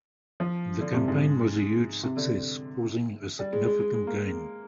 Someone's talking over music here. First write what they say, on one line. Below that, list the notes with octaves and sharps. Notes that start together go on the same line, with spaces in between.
The campaign was a huge success, causing a significant gain.
F3
D3
C3
G#2
C3
D3
G3
G#3
G#3
G#3
G#3
A#3